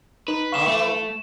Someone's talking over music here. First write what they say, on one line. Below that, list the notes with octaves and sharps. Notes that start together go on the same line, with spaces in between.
D oh
D#4 B4
F5 C#6 E7
A3